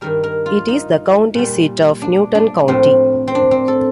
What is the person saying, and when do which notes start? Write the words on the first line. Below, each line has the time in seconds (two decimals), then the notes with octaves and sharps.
It is the county seat of Newton County.
0.01 G2 D#3 G3 A#4
0.23 A#4
0.46 F4
0.68 D#4
1.35 A#2 G3
2.02 D4
2.35 D4
2.68 A2 F3 C4
3.27 C4
3.35 D4
3.51 C4
3.68 A4